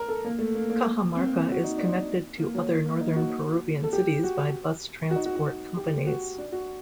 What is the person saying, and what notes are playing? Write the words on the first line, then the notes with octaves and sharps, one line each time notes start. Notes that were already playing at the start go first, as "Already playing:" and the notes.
Cajamarca is connected to other northern Peruvian cities by bus transport companies.
Already playing: A#4
A4
A#3
A3
A#3
A#3
C4
A#3
C4
F#4
D#4
D4
A#3
F#3
A#3
D#4
F#4
A4
G4
F#4
F#4
D#4
F#4
F#4
G4
F#4
D4
F#4